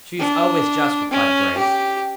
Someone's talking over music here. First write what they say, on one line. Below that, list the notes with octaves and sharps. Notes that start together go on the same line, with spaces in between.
"She is always just," replied Grace.
D4
C#4
G4